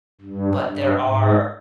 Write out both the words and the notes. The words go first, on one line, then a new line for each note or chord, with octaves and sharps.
But there are
G2
G2
G#2